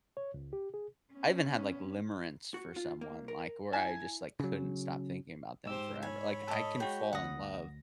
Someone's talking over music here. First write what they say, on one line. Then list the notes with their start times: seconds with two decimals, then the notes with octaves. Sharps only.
I even had, like, limerence for someone, like, where I just, like, couldn't stop thinking about them forever. Like, I can fall in love,
0.17 C#5
0.34 C#2
0.53 G4
0.74 G#4
1.13 B3 C#4
2.54 F#4
2.76 F4
3.01 A#3
3.28 A#4
3.73 E4 G#5 A5
4.40 C#3 F#3
5.66 G#2 G4 C5 E6
6.02 C#5 G#5 B5
6.48 A4 D#5
6.80 G#3 F#4 G5
7.13 D2 F#5 D#6 A#6